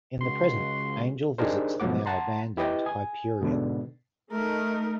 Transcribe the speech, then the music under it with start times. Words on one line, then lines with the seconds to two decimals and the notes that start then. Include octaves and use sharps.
In the present, Angel visits the now-abandoned Hyperion.
0.21 C#2 C#3 F#4 C6
1.38 D4 D#4 G4 G#4 A#4 C5
1.80 B2 F3 F#3 A3 F#5 D6
2.06 F#5 A5 A#5 C6
2.57 E4 G4 B4 D#5 G5
2.86 G#5 D#6
3.42 G#2 B2 D3
4.32 A3 D#4 A#4